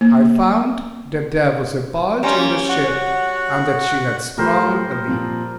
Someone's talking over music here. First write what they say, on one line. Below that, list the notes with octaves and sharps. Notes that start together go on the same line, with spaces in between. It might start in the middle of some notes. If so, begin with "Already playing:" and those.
I found that there was a bulge in the ship, and that she had sprung a leak.
A#3
G3 C#4 F4 G5 A#5
A#3
F#4 F#5
A2 F3 G3 A#4 C5
A#2 F3 C4